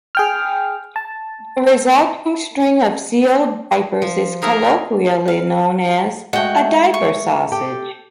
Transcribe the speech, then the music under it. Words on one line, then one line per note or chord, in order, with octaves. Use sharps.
The resulting string of sealed diapers is colloquially known as a "diaper sausage".
G#4 G5 F6
A5
F3
D#4 G#4 A#4 E5
F5
G#3 A3 F#4 G5
C#6
G4 A4 G5